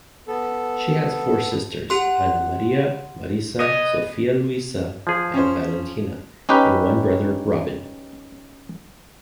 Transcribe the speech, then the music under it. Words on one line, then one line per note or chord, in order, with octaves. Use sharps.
She has four sisters: Anna Maria, Marisa, Sophia-Luisa, and Valentina; and one brother, Robin.
B3 A4
G4 F#5 C6
B3 D#5 G#5
F3 G#4
C#4 C5
C#4 D#4 G4 B4